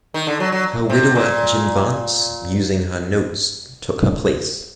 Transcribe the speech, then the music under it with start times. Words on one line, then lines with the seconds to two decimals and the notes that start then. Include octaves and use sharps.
Her widower, Jim Vance, using her notes, took her place.
0.14 D#3
0.27 D3
0.40 F#3
0.52 F#3
0.90 C3
1.15 A#2